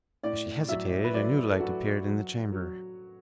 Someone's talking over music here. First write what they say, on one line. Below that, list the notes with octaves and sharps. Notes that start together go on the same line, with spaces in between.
As she hesitated a new light appeared in the chamber.
A2 D5
F#3 E5
B4
F#3 D5
A4
F#3 F#4
F#3
F#3